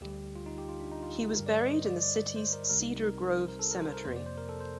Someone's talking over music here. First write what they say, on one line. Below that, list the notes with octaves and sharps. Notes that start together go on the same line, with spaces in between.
He was buried in the city's Cedar Grove Cemetery.
D2 D3 G3 G4
F4
D#4
G4
F4
D4
D#4
F4
G2 D3 G3 A#4
D5
D#5
C5
D5
D5
C5
A#4
C2 C3 G3 C4 A#4
D#4
A#4
C5
A#4
A4
A#4
C5
A#4
F2 C3 F3 A#3 C5
D5
C5
A#4
A4
C5